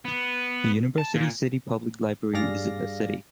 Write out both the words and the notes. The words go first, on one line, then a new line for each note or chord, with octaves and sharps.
The Universal City Public Library is in the city.
B3
A5
A#2
G2 G3 G#4 D5 F5 A#6